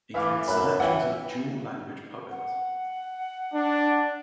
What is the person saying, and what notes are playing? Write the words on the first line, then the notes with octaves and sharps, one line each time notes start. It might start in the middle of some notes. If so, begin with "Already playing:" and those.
Includes selection of dual-language poems.
E3 E5 F5 D6
F#2 B5 F#6
E3 F#5 G5
F#5
D4